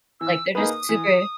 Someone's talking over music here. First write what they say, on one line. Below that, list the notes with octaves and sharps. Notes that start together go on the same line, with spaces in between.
like, they're just super
E3 E6
A#3 D#4 G#4 B4 D#6
E3